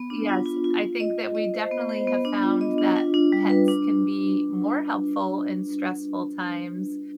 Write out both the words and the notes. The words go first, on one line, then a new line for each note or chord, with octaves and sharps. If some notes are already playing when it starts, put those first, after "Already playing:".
yes, I think that we definitely have found that pets can be more helpful in stressful times
Already playing: B3
D4
F4
F4
F4
F4
D#5
F4
D#5
C5
B3
C5
B3
D4
F4
D#5
D4
F4
D4
G3
B4
D4